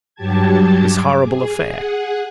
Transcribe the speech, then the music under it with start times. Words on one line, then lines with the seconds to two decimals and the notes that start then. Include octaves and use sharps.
This horrible affair.
0.15 G2 F#3 G4 A5 G#6
0.84 D6
1.23 G#4
1.67 G#4 F#5